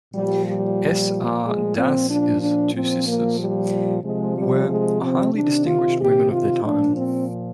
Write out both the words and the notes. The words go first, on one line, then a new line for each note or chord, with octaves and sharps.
S. R. Das's two sisters were highly distinguished women of their time.
A#2 F3 G3
G3
A#2 F3 G#3
C4
D4
D4
A#2 F3 C4
A#3
G3
C3 F3 G#3
G3
G#3
C4
C3 D#3 D4
F4
G4
F4
A#2 F3 D4
C4